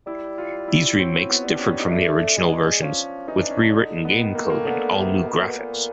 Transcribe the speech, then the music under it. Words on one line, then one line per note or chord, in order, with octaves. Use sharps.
These remakes differed from the original versions, with rewritten game code and all-new graphics.
G3 E4
F4
E4
F#3 C4
B3
G3
D4
C#4
D#4
A3 D4
G#3
F3 C#4
E3 D#4
D4
C#4
D4
C#3
D3 D#4
B3
D#3
A#3
A3
A#3
D3 B3
C3
B2
B2
A#2